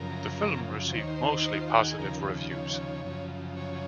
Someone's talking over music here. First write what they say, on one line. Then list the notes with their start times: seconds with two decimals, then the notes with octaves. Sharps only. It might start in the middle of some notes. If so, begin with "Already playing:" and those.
The film received mostly positive reviews.
Already playing: F#2 C#3 F3 A#4
0.92 D#2 C5
0.95 D#3 C#5
1.08 C5
1.42 D#4
1.57 F4
1.70 F#4
1.84 G#4
1.98 D#2 C#3 F3 A#4
2.51 C#5
3.04 F#2 C#3 F3
3.57 C#5